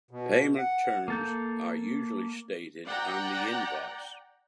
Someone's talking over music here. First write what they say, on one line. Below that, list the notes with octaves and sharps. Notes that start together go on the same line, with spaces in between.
Payment terms are usually stated on the invoice.
B2
F#5
A#3 A4 G6
D5 F#5 G5 A#5